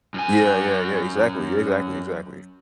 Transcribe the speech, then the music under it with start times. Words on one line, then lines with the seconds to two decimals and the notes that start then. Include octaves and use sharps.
Yeah, yeah, yeah, exactly, exactly, exactly.
0.14 F#2 G#5